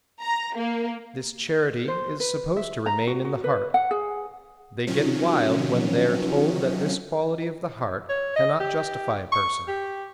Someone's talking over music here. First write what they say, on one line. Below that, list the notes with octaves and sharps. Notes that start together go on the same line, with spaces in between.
This charity is supposed to remain in the heart. They get wild when they are told that this quality of the heart cannot justify a person.
A#5
A#3
C5
B4
E5
A#5
F#4
F#4
B4
F#5
G#4
C3 D#3 F3 F#3 C#4
C#5
D#5
G4
C#6
G4